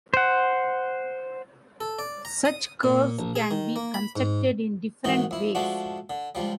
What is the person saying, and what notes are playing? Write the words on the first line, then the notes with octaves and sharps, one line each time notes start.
Such curves can be constructed in different ways.
C5 F#5
A4
D5
A#5
D#6
A#2
A#1
G#4
D#3
A#3
B5
G#2
G#2 D#3 E3 D#4 F#4
F2 E4
F3 G#3 A3 D4 F#4
D3
C#2 F3 G3